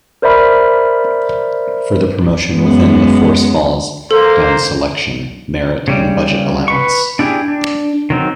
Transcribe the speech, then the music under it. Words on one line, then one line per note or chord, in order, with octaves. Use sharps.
Further promotion within the force falls down to selection, merit and budget allowance.
A#4 C5 D5 E5 B5 F6
F#2 G#3 B3
A#3 A4 C5
C#3 G3
B4 C#6
D4 E4 G4 G#4
D4
D#3 F#3 C4